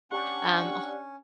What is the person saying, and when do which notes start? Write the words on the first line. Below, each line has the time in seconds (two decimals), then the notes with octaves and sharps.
Um, h
0.12 C#4 D4 G4 F#5 C#6